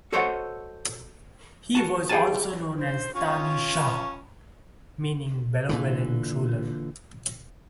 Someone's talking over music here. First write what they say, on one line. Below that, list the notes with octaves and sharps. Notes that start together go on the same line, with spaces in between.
He was also known as Tani Shah, meaning "benevolent ruler".
F#4 A4 C5 C#5 D#5 F#5
F#4 A5
G4 G#4 F#5 G#5 A5
C5
C#4 F4 C#6
A#2 D3 E3